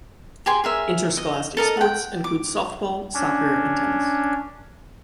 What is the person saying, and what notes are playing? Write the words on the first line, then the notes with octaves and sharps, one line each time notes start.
Interscholastic sports include softball, soccer and tennis.
G4 G#4 G#5 C6
G#4 A#4 E5
D#5
A4 A#4 D#5 A5
F#5 G5
D6
C#4 D4